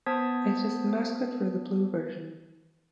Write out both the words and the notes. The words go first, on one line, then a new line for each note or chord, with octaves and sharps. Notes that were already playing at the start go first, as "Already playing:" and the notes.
It is the mascot for the "Blue" version.
B3 C5 A5 D#6 G#6 B6